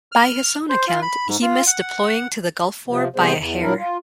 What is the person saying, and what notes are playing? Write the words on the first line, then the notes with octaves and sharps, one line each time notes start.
By his own account, he missed deploying to the Gulf War by a hair.
F6
C5
F4
B5
G#2
F4
F#5
C3 F3
C3 G3 B3 G#4 C5
E2
A#2 F#3 D4 E4 A#4
F4